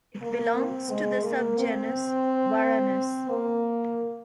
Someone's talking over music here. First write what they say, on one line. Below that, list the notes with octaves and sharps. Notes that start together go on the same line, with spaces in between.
It belongs to the subgenus "Varanus".
A#3
C4
G#3
A#3
C4
A#3